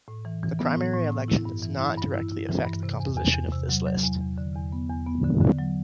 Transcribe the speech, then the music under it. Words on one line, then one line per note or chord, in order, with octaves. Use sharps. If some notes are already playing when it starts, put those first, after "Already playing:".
The primary election does not directly affect the composition of this list.
A2
E3
E3
B3
A2
A2
A2
E4
G2
E3
E4
G2
E4
E4
E3
G2
C3
E2
E2
E2
C3
F#3
F#3
E2
E2
D3
E2
B3
E2
B3
D3
D3
F#3